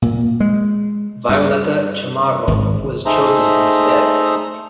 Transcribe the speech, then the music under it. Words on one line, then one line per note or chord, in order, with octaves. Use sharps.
Violeta Chamorro was chosen instead.
A#2
G#3
G2
G#1
A3 D#4 G#4 C5 E5 A#5